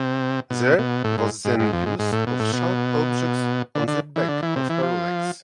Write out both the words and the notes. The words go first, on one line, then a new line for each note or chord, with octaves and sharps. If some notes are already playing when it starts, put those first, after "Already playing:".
There was then use of sharp objects on the back of her legs.
Already playing: C3
B2
B2
A2
G#2
G#2
G#2
F2
G#2
G#2
A2
B2
A2
B2
D3
D3
E3
D3
E3
C3
E3
F3